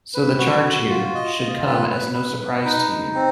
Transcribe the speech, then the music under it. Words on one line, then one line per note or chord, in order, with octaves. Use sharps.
So the charge here should come as no surprise to you.
B4
F#4
F#4
F4
D#5
F4
B4
B4
B4
B4
D#4
D#4
C4